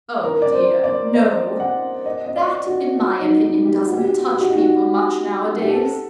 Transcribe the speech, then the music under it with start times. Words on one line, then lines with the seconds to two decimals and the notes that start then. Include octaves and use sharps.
Oh, dear, no! That, in my opinion, doesn't touch people much nowadays.
0.24 A#4
0.42 D5
0.54 C5
0.84 D5
1.14 D#5
1.60 F#5
2.06 D#5
2.25 D#5
2.36 D5
2.66 F#4
2.97 F#4
3.19 D#4
3.43 D#4
3.65 G4
3.88 F#4
3.97 G4
4.06 F#4
4.33 G4
4.41 F#4
4.49 D#4
4.57 F#4
5.62 G4
5.70 A4